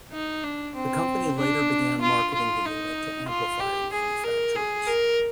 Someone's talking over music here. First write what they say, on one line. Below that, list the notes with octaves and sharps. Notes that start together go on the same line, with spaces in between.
The company later began marketing the unit to amplifier manufacturers.
D#4
D4
C4
D4
F4
F4
D#4
F4
G4
G#4
A#4
G#4
A#4